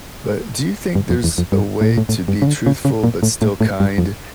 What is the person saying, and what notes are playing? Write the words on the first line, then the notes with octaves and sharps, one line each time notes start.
But do you think there's a way to be truthful but still kind,
G2
F2
E2
F2
G2
A2
A#2
A2
A2
G2
C#3
D3
C#3
C#3
A#2
A2
A2
A2
G2
F2